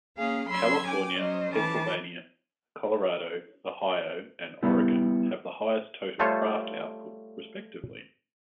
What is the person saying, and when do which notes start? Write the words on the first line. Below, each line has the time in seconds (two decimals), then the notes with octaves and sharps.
California, Pennsylvania, Colorado, Ohio and Oregon have the highest total craft output, respectively.
0.18 A#3 C#4 G#4 F5
0.49 F#3 C#4 B5 C6 E6 G#6
0.86 G5 G#5 D6
1.18 F#3 C#4 C5 D#5
1.53 E3 A5 D6
4.63 G3 B3 E4 G4
6.19 G3 A3 F4 A4 C5 C#5